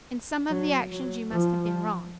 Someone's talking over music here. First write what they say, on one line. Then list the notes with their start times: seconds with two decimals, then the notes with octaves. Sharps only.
In some of the actions you must have been wrong.
0.50 F#3
0.91 F#3
1.32 F3